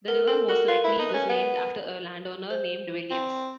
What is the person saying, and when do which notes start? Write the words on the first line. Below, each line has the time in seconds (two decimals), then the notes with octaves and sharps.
The river most likely was named after a landowner named Williams.
0.08 B3 A#4
0.28 C4 A4
0.49 F#4 A#4
0.68 F4 B4
0.84 E4
0.89 B4
0.99 D#4
1.09 C#4 B4
1.29 B3
2.50 C5
3.11 C4